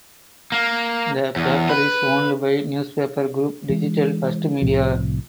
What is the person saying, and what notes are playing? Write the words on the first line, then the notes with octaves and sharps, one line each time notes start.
The paper is owned by newspaper group Digital First Media.
A#3
E2
B4
E3 G#3
C2 A2 C3 F3